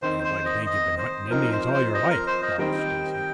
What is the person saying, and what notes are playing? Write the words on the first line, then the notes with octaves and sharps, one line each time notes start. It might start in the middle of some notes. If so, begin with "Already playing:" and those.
"Anybody'd think you'd been hunting Indians all your life," growled Stacy.
D#3 C4 D#4 C5
C5
D#5
D#5
C5
F3 C4 D#4 A#4
C5
C5
D#5
A#4
C5
D#5
D#3 G3 C4 D#4 G5